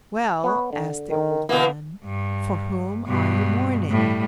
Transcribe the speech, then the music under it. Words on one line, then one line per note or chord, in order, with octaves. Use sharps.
"Well," asked the old woman, "for whom are you mourning?"
B3 B4 C#5
D3
D#3
B2 E3 A#3 B3
G2
G2 B2
A2 G3